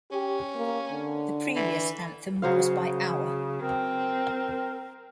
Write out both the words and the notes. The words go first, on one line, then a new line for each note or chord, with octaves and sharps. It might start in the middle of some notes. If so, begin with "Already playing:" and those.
The previous anthem was by Aur.
C#4 G4
A#3
D3
E3
C#3 F#3 C5 F5
C4 A#4